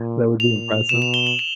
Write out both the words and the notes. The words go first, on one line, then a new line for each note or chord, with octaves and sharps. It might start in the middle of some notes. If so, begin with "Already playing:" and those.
That would be impressive.
Already playing: A#2
A#2 F7
B2 E7
F7
G7
F#7
E7